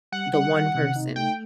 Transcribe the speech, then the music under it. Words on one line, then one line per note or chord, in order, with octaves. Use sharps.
the one person.
G3 F#5
G3 F#5
D#3
C3
D#4
A3 G5